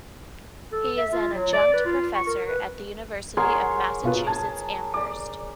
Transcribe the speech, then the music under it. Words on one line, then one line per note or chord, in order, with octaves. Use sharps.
He is an adjunct professor at the University of Massachusetts Amherst.
A4
E5
F4
F#3
D5
B4
F4
C#6
A#4
B4
G#4 A#4 C#5 F#5 C6 G#6
B2 F4 B4
A5 G#6
D5 D6